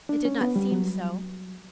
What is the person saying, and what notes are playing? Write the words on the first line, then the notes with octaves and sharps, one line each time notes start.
It did not seem so.
D4
C#4
B3
G3
F#3